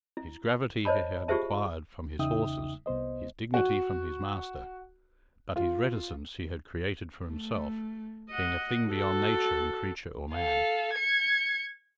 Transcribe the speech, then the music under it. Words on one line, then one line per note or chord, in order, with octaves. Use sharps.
His gravity he had acquired from his horses, his dignity from his master; but his reticence he had created for himself, being a thing beyond nature in creature or man.
E4
C5 C#5 D#5 A5 B5
F4 G4 G#4 C5 E5 A5
E2 C#3 D#4 E5 G5 D#6
C2 B3 C5 D#5
F#4
F4
A3
D#5 F#5
F#4 A4
A4 F5
G#6 C#7